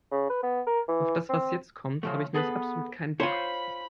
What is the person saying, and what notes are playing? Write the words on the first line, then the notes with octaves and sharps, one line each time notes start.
Auf das, was jetzt kommt, habe ich nämlich absolut keinen Bock.
C#3
B4
B3
A#4
E3
C4
C#3 F3 A3
B3 G#4 A4 B4
F4 C5 C#5 B5